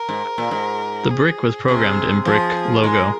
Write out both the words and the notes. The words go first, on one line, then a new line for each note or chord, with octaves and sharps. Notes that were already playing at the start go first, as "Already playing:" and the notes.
This brick was programmed in Brick Logo.
Already playing: A#4
G#2
A#2
G#2
G#4
C3 G#4
F3 G#4
G#3 A#4